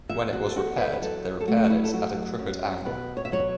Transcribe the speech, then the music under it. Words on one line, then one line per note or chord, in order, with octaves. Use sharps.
When it was repaired, they repaired it at a crooked angle.
E2 E5
F#4
A4
E2 F#4
B4
B4
F#3 A4
A4
A3 F#4
A4
F#4
E4
A4
F#3 F#4
F#2
B2 B4
C#5
E5
F#3 C#5